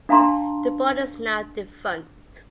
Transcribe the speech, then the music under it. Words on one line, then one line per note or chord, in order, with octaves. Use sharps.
The board is now defunct.
D4 F5 A5 A#5 C6